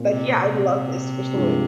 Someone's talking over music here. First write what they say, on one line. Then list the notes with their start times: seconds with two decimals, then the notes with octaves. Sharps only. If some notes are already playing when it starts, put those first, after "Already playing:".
Like, yeah, I'd love this for sure.
Already playing: A#2 C4
0.10 C3
0.41 C3
1.34 G2 F3 G#3